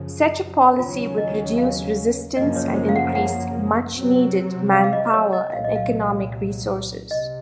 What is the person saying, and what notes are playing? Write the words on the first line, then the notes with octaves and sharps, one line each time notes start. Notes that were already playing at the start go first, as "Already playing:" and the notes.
Such a policy would reduce resistance and increase much-needed manpower and economic resources.
Already playing: F#2 C#3 F3
D#2 C#3 F#3 C#4 F4
D#5
F5
F#2 C#3 F3 A#3 C#4 D#5
C#5
C5
F5
F#5
F#5
C3 F#3 C4
F5
F5
D#5
C#5
D#5
C2 A#2 F#3 F5
D#5
F5
C3 D#5